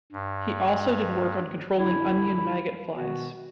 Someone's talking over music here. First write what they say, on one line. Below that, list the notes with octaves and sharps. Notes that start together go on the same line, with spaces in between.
He also did work on controlling Onion maggot flies.
G2
F#2 D3 D4 E4
B2 D#3 B3 F#4